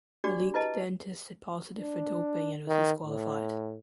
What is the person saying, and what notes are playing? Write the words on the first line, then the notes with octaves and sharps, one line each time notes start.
Malik then tested positive for doping and was disqualified.
D4 F#4 G4 D5 D6
E4 B4 D#5 A5
D4
D#3
A2